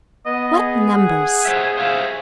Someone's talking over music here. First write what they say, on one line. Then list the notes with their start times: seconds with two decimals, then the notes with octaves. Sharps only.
What numbers!
0.26 B3 D#5
0.57 G#4
0.92 F#5
1.45 C5 C#5 E5
1.77 C5 C#5 E5 F5